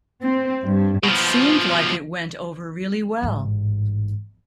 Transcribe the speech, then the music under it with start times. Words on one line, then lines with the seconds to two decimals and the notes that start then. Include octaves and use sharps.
It seemed like it went over really well.
0.22 C4
0.64 G2
1.03 B2 F3
3.22 A1 G#2